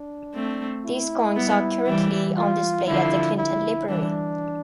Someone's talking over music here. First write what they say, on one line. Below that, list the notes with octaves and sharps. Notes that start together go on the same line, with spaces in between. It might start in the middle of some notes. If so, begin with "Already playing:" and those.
These coins are currently on display at the Clinton Library.
Already playing: D4
A3 C4
E4
G3 B3
E3 G3
F4
D3 F3 E4
E4
E3 G3 D4